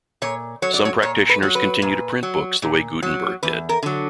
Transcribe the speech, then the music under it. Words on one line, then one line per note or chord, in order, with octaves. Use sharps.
Some practitioners continue to print books the way Gutenberg did.
A#2 C#5
F#3 C#5
D5
C#5
A#2 C#5
B4
F#3
B4
A#2
F#3
A#2
F#3
E2 B4
A#4
D3 F#3